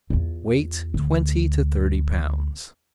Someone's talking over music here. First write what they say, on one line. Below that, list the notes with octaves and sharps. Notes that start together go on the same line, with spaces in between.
Weight twenty to thirty pounds.
E2 F4
D2